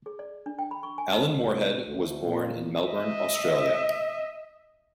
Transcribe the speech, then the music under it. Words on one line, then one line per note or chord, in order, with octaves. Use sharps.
Alan Moorehead was born in Melbourne, Australia.
G#4
D5
D4
G5
B5
C#6
G#5
D#4
C2
D2
A#2
D#5 E5